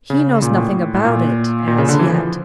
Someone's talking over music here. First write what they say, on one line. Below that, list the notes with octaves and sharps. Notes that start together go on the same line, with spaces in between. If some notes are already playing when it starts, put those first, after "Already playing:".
"He knows nothing about it,--as yet."
C#3
A#2
A2
A2
A#2
A#2
C#3
D3
E3
F3